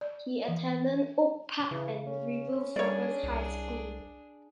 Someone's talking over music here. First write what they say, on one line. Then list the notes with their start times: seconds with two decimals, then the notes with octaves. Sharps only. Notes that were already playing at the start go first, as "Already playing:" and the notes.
He attended Oak Park and River Forest High School.
0.01 D5
0.48 E3
1.71 C#3 E3
2.07 C#4
2.76 G3 D4 G#4 C#5 D5
3.23 C2